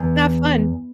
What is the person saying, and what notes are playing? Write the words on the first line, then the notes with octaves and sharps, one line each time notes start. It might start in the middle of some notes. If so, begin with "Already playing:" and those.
Not fun.
Already playing: E2